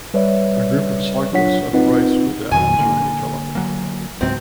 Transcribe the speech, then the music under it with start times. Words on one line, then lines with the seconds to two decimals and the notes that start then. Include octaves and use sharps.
A group of cyclists at a race with their arms around each other.
0.14 G3 B4 C#5 D5 E5
1.33 F#3 D4 F4 C#5 F#5 B6
1.73 C4 D#4 F4 B4 D#5 F#5
2.51 F2 D#3 F#3 G#5
2.79 D3 A#3
3.55 D3 F#3 A#3
4.21 C#2 G#2 F#3 C4